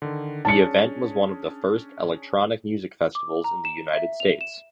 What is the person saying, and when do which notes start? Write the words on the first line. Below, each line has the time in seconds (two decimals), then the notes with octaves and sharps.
The event was one of the first electronic music festivals in the United States.
0.02 D3 D#3
0.45 C#4 D4 G#4 A5 C#7
3.15 D6
3.44 A#5
3.65 E7
3.94 E5
4.20 F7
4.41 E7